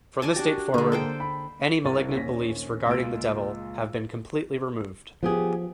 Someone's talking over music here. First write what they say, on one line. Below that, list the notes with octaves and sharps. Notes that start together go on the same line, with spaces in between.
From this date forward, any malignant beliefs regarding the devil have been completely removed.
D5 G#5 A5
D4 F#4 G4
D3 G#3 A#3
A4 C5 G5
B5
C2 C3 E4 A6 D#7
A#1 D#2 C#4 A#6 B6
C#2 A#2 G#3 F4 E6 D7
F3 B3 G4 G#4